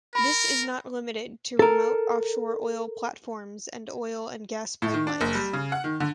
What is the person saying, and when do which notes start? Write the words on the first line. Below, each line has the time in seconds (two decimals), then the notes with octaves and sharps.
This is not limited to remote offshore oil platforms and oil and gas pipelines.
0.15 A#4 B5
1.59 A4 A#4
4.82 A2
4.94 D#3
5.07 D4
5.21 F#1
5.34 G3
5.53 C#3
5.72 F#5
5.84 D#3
6.00 D3